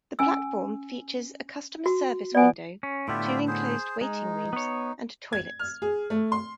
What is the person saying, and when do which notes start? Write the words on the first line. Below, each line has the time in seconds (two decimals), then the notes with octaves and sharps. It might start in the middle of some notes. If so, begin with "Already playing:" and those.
The platform features a customer service window, two enclosed waiting rooms and toilets.
0.19 C#4 G#5 E6
1.86 F#4
2.35 B3 D5 G#5
2.83 C#4
3.08 A2 D3 B3 F4 G4 E5
3.48 G#4 C5
4.01 G#3 D#4
4.53 B3 C#5
5.33 G#6
5.59 F6
5.82 G#4
6.10 A3
6.32 C6